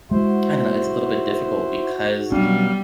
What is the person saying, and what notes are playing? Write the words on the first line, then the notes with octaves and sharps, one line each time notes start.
I don't know, it's a little bit difficult because
G#3 E4 F#4 C5
B2 F#3 G3 C#4 D4 F5